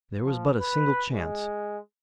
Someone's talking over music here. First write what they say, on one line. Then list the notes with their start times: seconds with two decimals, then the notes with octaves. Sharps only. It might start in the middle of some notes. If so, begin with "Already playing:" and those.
There was but a single chance.
0.25 F3
0.61 B4
1.12 G#3